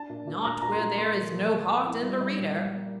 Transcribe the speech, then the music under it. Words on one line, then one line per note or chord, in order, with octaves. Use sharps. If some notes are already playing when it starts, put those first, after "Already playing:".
"Not where there is no heart in the reader."
Already playing: D4 A5
A#2
A#2
A#2 A#5
A#2 A#5
C6
A#2
A#3 C6
F3
A#2
A#3
F3
E4
G3
G3
A#2
G3
A#3